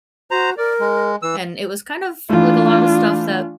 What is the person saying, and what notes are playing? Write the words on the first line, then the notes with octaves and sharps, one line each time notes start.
and it was kind of, like a lot of stuff that,
F#4 C5 A#5
A#4 D5
G#3
E3 E6
E3 A3 D4 F4